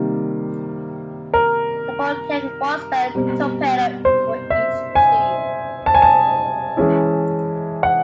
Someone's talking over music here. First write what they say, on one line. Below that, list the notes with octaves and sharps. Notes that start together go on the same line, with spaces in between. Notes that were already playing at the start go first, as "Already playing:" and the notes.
The boat carried one spare torpedo for each tube.
Already playing: C3 D#3 G3 A#3
A#4
B2 G3 C4
C5
E5
G#5
A5
G#5
A5
E3 G#3 C#4 E4
F#5